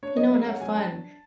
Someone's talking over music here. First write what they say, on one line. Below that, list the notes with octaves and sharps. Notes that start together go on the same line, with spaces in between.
you know, and have fun."
D4 C#5
F#3 D#5
G#3 E5
C#4 F#5
F#3 G#5
D4 A5